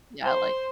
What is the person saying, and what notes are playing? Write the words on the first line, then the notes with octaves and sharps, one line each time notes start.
Yeah, like
C5